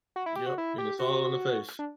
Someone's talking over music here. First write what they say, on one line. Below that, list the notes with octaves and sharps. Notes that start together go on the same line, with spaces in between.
Yep, and it's all on the face.
F#4
E4
G4
F#4
E4
G4
F#4
D4